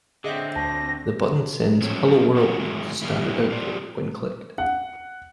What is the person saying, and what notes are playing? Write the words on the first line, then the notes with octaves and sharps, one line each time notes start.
The button sends "Hello world" to standard output when clicked.
D3 C4 G#4 D#5 E5
D2 A5 A#6
F3 F#3 C4 C#4
C3 D#3 C#4 F#4
G#2 D#3 E3 F#3 G#3 A3
B2 E3 G3 A#3 E4
F4 G4 C5 D5
F#5